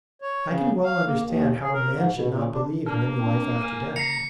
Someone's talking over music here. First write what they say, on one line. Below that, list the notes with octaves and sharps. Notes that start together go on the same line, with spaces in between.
I can well understand how a man should not believe in any life after death.
C#5
C#3
F5
A#3
D#2
G#4
A#4
G#2
B2
A#2
D4
A#3 D4 A#4
C4 D4
A#4 G#5
C#3 A#5 A#6 C7 C#7